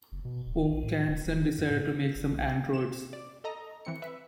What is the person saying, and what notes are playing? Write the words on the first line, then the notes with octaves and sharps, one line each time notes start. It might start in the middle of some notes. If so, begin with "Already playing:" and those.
Vaucanson decided to make some androids.
F#1
B2
D1
A#1
A2
D#1
D1
F#2
A2
D3
G1
B1
E7
D5
A4 D#5 A#5
E3 C4 C#7
B4 E5